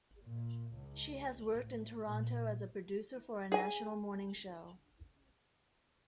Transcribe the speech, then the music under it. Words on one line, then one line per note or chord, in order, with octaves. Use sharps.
She has worked in Toronto as a producer for a national morning show.
A#2
C#2
A2
A#2
G#4 G#5